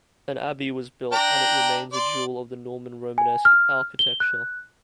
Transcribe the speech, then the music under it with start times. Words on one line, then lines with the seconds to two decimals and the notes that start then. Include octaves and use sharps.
An abbey was built and it remains a jewel of the Norman Romanesque architecture.
1.12 D4 G5 A#5
1.93 D5 C6
3.18 G#5
3.45 F6
3.99 G7
4.20 F#6